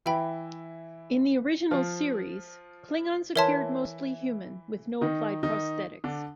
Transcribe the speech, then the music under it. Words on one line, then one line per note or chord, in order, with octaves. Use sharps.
In "The Original Series", Klingons appeared mostly human, with no applied prosthetics.
E3 E4 E5 G5 B5
F3 F4
E3 E4 A#4 C#5 E5 A5 C6
D#3 D#4
D#3 D#4
D3 D4